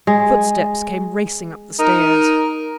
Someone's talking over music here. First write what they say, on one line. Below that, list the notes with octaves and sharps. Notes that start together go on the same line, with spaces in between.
Footsteps came racing up the stairs.
G#3
D#4 A#4